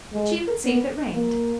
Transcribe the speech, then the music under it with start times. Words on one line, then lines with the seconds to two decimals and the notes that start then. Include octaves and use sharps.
She would see if it rained.
0.13 G#3
0.64 B3
1.14 A#3